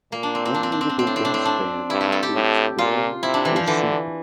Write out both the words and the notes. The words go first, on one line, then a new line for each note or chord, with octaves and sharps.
One notable guest band includes Bowling for Soup.
A#2 A#3
D4
C4
C4
D4
C4
D4
C4
D4
A2 C4
D4
C4
D4
C4
D4
G2 E4
G4
A4
G4
A2
A#2 F4
C3 E4
D4
E3
F3
D3 E3